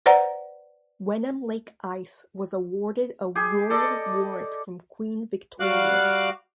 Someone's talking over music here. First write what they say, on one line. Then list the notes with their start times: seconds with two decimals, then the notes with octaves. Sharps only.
Wenham-lake ice was awarded a royal warrant from Queen Victoria.
0.06 B4 C5 D5 F#5 A#5
3.35 G4 G#4
3.70 A4 D5 D#5
5.60 G3 F#4 F5 D6 F#6